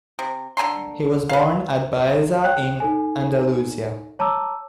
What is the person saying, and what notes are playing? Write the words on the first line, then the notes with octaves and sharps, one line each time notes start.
He was born at Baeza in Andalusia.
C3
D3 G#5 A#5 C6
B4 F5
C#5 G5 F#6
D#4 A4 G#5
C#5 A5 A#5 D6 E6